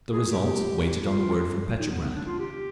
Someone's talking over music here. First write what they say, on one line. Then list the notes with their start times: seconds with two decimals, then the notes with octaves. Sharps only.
The result waited on the word from Petrograd....
0.12 G#4
0.31 G4
1.04 F4
1.78 D#4
1.90 B3
2.03 B3
2.15 D4
2.26 F4
2.39 G4